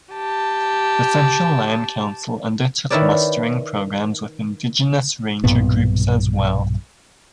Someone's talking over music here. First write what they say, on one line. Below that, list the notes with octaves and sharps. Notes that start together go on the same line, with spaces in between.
The Central Land Council undertook mustering programs with Indigenous ranger groups as well.
G4 A5
D#3 D#4 E4 B4 C#5 D5
B1 G2 A#2 B3